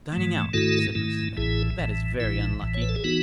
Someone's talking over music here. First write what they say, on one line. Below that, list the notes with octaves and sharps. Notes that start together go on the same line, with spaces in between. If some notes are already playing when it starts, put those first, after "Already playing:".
"Dining out," said Mrs. Bennet, "that is very unlucky."
G#2 E3 A3
G#2 D#3 A3 E4 F#4 A4
G#2 D#3 A3 E4
A1 A2 E3 E4 G#4
A1 A2 E3
A1 A2 E3 E4
A1 A2 E3
C#5
B4
A4
G#4
E3 B3 D#4 F#4